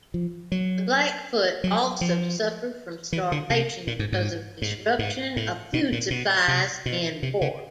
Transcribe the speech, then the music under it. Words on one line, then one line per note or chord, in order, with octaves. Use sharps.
The Blackfoot also suffered from starvation because of disruption of food supplies and war.
F3
F#3
F#3
F3
E3
D3
C3
A#2
G#2
G#2
G#2
G#2
A2
B2
A#2
B2
C3
B2
C3
C#3